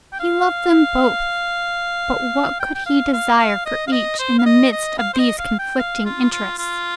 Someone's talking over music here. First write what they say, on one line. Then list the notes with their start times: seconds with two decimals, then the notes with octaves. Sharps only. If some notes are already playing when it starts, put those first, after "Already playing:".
He loved them both, but what could he desire for each in the midst of these conflicting interests?
0.13 G5
0.20 F5
2.60 G5
2.75 G5
2.86 F5
3.13 F5
3.39 F5
3.66 D#5
3.87 F5
3.92 D#5
4.19 C5
4.39 F5
4.46 D#5
4.72 D#5
4.99 F5
5.14 C5
5.19 D#5
5.39 F5
5.59 G5
5.79 F5
6.05 F4
6.32 F4
6.59 F4